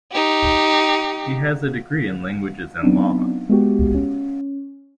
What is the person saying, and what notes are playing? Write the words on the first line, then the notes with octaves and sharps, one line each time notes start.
He has a degree in Languages and Law.
D#4 G4
F#3 B3 C4 D4 D#4
G#3 B3 F#4 G4
C#4